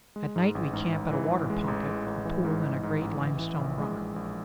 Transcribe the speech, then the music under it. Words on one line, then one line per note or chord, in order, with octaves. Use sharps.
At night we camp at a water pocket, a pool in a great limestone rock.
G#3
G#2
A1
G#2
A1
E3
A1
G#3
A1
G#3
A1
E3
G#2
G#2
G#2
A1
E3
E3
A#1
G#3
G#3
A#1